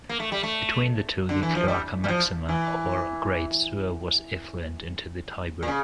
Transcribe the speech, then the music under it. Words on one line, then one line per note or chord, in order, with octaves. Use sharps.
Between the two, the Cloaca Maxima, or Great Sewer, was effluent into the Tiber.
A#3
A3
G3
A3
D3
E3
F3
G3
G3
F3
E3
A#2
C#3